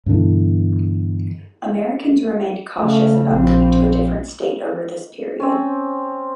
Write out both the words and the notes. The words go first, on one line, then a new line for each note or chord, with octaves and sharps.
Americans remained cautious about moving to a different state over this period.
G2 B2 D3 E3
C#3 A3
A#1 C4
C4 C#4